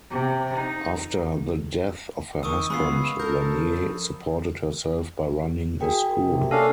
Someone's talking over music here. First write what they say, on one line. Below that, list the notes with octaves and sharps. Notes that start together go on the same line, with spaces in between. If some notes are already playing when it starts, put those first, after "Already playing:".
After the death of her husband, Lanier supported herself by running a school.
C3
D#4
D#3 D#5 C#6 D#6 E6
G#3 B3 C#4 F4 B5 E6 C7
A4 A#4 G6
F2
F#4 G#4 A#4 G5
C3
A#3 C#4 D4 A4 F5